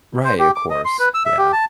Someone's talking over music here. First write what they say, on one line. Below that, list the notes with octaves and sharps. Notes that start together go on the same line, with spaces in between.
Right, of course, yeah,
C5
G4
D6
D#5
C6
B4
E6
E5
G4
A5